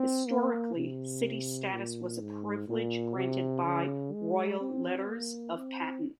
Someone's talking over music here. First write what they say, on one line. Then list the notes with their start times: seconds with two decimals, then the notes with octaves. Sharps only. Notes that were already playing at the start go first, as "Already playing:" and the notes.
Historically, city status was a privilege granted by royal letters of patent.
Already playing: C4
0.28 A#3
0.76 C3
1.72 A#2
2.20 G#2
2.68 A#2
3.16 C3
3.64 C#3
4.13 G#3
4.61 C4
5.09 A#3
5.57 C4